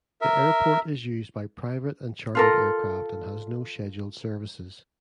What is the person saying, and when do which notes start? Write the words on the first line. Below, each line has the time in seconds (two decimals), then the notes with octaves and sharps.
The airport is used by private and chartered aircraft and has no scheduled services.
0.21 A#4 E5
2.35 F4 A4 A#4